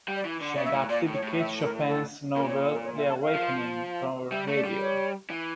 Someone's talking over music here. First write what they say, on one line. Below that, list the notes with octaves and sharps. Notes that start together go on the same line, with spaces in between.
She adapted Kate Chopin’s novel ‘The Awakening’ for radio.
G3
D5
E3
D3
C#3 D5
E5
A2
A#2 D5
A2
C#5
A2
E5
A#4
A4
A#2 A#4
C#5
A#4
C#5
E5
A5
F5
F3
G3 E5
A3
D5
G3
C#5
E3